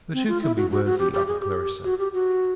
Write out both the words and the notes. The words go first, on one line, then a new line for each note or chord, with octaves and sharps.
But who can be worthy of a Clarissa?
C4
F4
E4
F#4
F#4
F#4
G4
G4
G#4
G4
F#4
G4
F#4